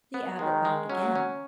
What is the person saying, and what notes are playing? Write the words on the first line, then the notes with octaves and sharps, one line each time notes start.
The Abbot bowed again.
B3
D#3 G#3
G#3
F#3 C#4
C#4